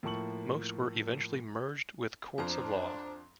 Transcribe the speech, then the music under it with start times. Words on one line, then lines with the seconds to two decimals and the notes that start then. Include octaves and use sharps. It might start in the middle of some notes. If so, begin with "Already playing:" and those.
Most were eventually "merged with courts of law".
0.03 A2 F3 A#3 A5 C#6 F#7
2.38 F2 F3 D4 C5 A#5